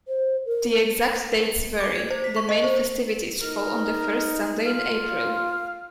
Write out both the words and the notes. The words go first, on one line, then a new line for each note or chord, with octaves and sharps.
The exact dates vary: the main festivities fall on the first Sunday in April.
C5
A#4
D6
G#6
C5
B6
C#6
D#5
C5
D#4 A#4
F4 F5